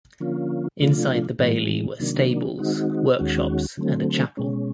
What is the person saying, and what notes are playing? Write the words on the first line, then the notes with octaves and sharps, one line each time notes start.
Inside the bailey were stables, workshops, and a chapel.
D3 F3 A#3 C#4 F4
C3 F3 A3 D4 F4
A2 E3 G#3
C3 D#3 F#3 A#3 D4
D#3 G#3 C4 D#4 F#4
D#2 D#3 G#3 C#4 F#4
D3 F#3 A3 C4
B2 G#3 C#4